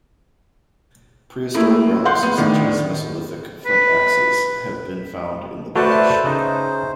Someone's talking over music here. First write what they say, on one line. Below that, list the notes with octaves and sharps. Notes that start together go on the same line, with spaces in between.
Prehistoric relics, such as Mesolithic flint axes, have been found in the parish.
A3 A#3 E4 G#4
F5 F#5 C6 F#6 G6
B3
A2 D#3 D4
B4
A3 F#4 B4 C5 D5 F#5 A5
E5
C#3 D#4 C5